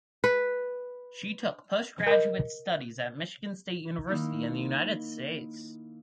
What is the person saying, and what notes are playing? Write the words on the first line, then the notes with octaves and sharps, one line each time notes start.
She took postgraduate studies at Michigan State University in the United States.
B4
A#4 D#5
D#3 A#3 D#4 E4